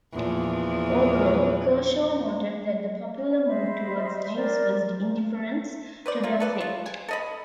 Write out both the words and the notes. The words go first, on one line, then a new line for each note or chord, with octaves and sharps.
Overall, Kershaw noted that the popular mood towards Jews was indifference to their fate.
E2 A#2 F3
C5 D#5 E5 B5
A#4 C5 D5
B4 C5 D5
A#3 F4
A4 B4 D5
F4
G#5
A4 D#5 B5